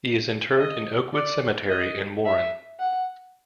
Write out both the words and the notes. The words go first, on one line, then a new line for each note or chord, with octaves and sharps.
He is interred in Oakwood Cemetery in Warren.
D#5
D5
D#5
E5
F#5